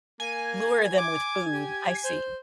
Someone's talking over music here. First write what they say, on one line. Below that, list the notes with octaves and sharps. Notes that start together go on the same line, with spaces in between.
Lure them with food, I see.
A#3 G#5
D6
G4
C5